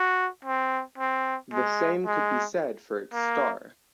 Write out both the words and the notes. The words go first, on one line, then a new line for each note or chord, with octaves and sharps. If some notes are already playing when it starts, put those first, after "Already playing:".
The same could be said for its star.
Already playing: F#4
C4
C4
G#3
G#3
A#3